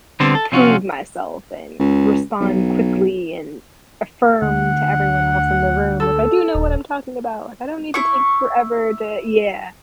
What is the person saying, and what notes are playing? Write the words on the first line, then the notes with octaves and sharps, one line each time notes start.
prove myself and respond quickly and affirm to everyone else in the room, like, "I do know what I'm talking about, like I don't need to take forever to" Yeah,
D3 G3 B3 C4
A4
C3 F3 C#4 F4 F#4
C#2
B1
D2 F#5
A4
D#1
E4 C#6